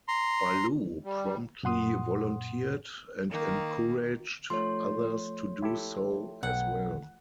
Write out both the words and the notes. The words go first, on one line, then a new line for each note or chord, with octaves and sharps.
Ballou promptly volunteered, and encouraged others to do so as well.
A#5 C6
G3
F#2 A#2 F#5 C6 D#6
D#3 A#3
F3 A3 C#5 C6
E4 G4 A4
B1 F#5 G5